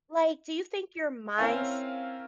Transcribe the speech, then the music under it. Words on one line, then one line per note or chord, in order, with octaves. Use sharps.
Like, do you think your minds
C4 C#4 E4 A#4 F5 G#5